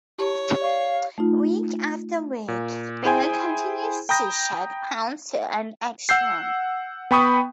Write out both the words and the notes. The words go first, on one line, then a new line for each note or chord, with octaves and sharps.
Week after week, Billy continues to shed pounds to an extreme.
E4 G4 C#5 A5
D5 F5 C#6
A3 D#4 F4
A#2
E4 G#4 C5 G5 G#5
G5 A#5 B5 D#6 G6 A#6
F#5 E6 G6 C7
B3 G5 B5 C#6 D#6